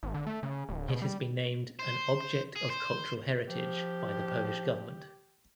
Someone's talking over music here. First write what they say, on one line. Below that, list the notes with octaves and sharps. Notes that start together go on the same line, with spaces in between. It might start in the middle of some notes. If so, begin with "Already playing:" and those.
It has been named an "object of cultural heritage" by the Polish government.
G#1
D3
A3
C#3
D1
B2
G3
C5
G#4
C5
F3 G4